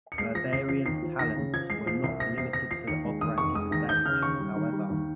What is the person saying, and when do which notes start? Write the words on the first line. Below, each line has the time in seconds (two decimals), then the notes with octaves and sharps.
Berbarian's talents were not limited to the operatic stage, however.
0.12 C#7
0.18 G#3 C7
0.35 F3 A#6
0.52 C#3 C7
0.69 F3 C7
0.86 D#2 C7
1.02 F3
1.19 D#2 A#6
1.36 C#3
1.53 F3 G#6
1.70 G#3 C7
1.86 F3 C7
2.03 C2 C7
2.20 C3 A#6
2.38 C3 C7
2.53 C3 A#6
2.71 F3 C7
2.87 D#2 C#7
3.04 G#3
3.21 D#2 D#6
3.38 F1 C#6
3.55 G#3 D#6
3.71 D#2 A#6
3.88 D#2 G6
4.06 C#3 F6
4.22 D#2 C#6
4.40 G3
4.56 D#3
4.73 G3
4.90 D#2